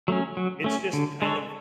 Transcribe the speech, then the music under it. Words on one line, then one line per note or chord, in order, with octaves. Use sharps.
it's just kind of
F#3 A3 C#4
F#3
A3 C#4
D3
G#3 D4 A4 C#5